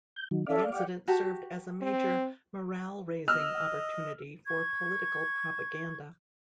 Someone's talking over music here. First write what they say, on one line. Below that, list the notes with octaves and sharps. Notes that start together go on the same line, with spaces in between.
The incident served as a major morale-raising opportunity for political propaganda.
G6
D#3 F#3
C#4 A4 D5 E5 F5
G4 F#5
F#4 G4 A5
C4
D#5 E6 F6
C#6 G#6